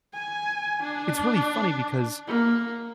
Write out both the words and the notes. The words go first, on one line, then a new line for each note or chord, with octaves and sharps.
It's really funny because
G#5
D4
A#3